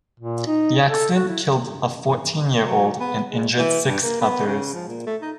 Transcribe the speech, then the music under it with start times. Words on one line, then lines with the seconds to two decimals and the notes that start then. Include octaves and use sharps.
The accident killed a fourteen-year-old and injured six others.
0.20 A#2
0.47 D#4
0.88 A4
1.15 F#4
1.28 E4
2.65 F#3
3.00 B3
3.30 G#3
3.58 E3
3.87 G2
4.03 A#3
4.21 B3
4.47 C#3
4.74 F3
4.88 A#2
5.07 A3
5.22 D#4